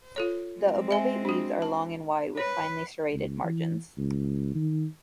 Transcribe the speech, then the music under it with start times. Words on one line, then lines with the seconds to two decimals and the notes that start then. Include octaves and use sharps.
The obovate leaves are long and wide with finely serrated margins.
0.16 F4 A4 C#5
0.60 G#3 C4
0.91 E5 G#5
1.25 D4 F#4
1.62 A5
2.37 B4 C#5
3.13 C#2
3.44 E3
3.98 C#2
4.55 D#3